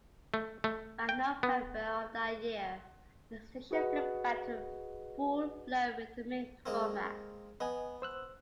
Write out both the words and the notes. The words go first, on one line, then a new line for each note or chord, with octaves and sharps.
By November of that year, the station flipped back to a full-blown Rhythmic format.
A3
A3
G5
B3
F#4 G#4 B4 D#5 F#5
G#3 A#3 C4
B3 D#5 G#5
C5 E6 F#6